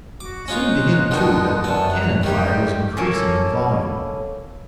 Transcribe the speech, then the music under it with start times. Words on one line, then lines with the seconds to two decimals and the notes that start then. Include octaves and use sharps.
It seemed to him, too, that the cannon fire was increasing in volume.
0.20 F#4 D6
0.48 C#4 D#4 F4 C6 F#6
1.11 B2 D3 D#3
1.64 F#2 B3 A4 D5 A5
1.91 A#5 F#6
2.24 D#3 G3 G4 E5
2.97 A#3 C#4 A4